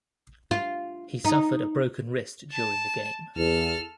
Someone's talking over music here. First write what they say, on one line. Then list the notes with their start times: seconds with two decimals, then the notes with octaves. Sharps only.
He suffered a broken wrist during the game.
0.51 F4
1.25 D#4
2.52 A5
3.36 E2 A4 F6